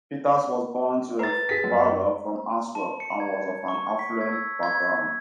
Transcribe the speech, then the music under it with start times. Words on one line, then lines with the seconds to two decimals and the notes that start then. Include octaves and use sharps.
Peters was born to a father from Antwerp and was of an affluent background.
1.19 B4 A#5 A6
1.49 G#4 B6
1.64 F#2
2.75 A5
3.00 C#7
3.20 G#6
3.68 C#6
3.99 B6
4.21 G#6
4.33 E6
4.63 G#6